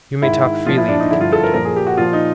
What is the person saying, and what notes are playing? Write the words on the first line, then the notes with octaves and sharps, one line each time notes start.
"You may talk freely," the captain told me.
G#2 D#3 E4
A#2 F3 F4
E4
D4
D#4
G2 D3 F3 E4
F4
A4
A#4
A#2 F3 A#4
G#4
G4
F#4
A#2 F3 F4
D#4